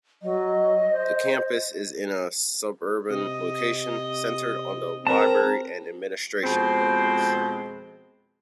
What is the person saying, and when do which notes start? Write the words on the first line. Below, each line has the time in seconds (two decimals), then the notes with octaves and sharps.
The campus is in a suburban location, centred on the library and administration buildings.
0.22 F#3 D#5
0.92 C5
3.10 C3 D#5
5.07 C4 A#4 B4 A5 A#5
6.44 F2 B2 G#3 C4 C5